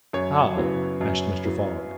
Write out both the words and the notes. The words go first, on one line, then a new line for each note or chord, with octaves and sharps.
"How?" asked Mr. Fogg.
F#2 C#5
C#3 F#3 B3 E4
F#2
F#3 B3 E4